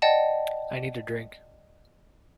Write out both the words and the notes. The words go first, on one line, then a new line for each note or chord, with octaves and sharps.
I need a drink.
D5 D#5 F#5 G5 A5